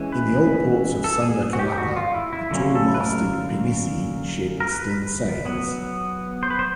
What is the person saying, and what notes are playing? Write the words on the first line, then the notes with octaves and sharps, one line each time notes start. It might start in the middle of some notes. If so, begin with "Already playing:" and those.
In the old ports of Sunda Kelapa, the tall masted pinisi ship still sails.
Already playing: E3 G#3 C#4
B4
A4
G#4
F#4
G4
F#4
F4
E4
E4
D3 F#3 A#3 C#4
A4
B4
A#4
A#4
B4
F#3 B3
C5
B4
C5